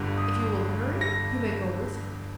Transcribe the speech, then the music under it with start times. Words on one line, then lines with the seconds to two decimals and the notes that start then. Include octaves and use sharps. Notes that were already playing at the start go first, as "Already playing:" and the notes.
If you will hurry, you may go with him!
Already playing: G1 G2 D3
0.18 D#6
1.01 A#6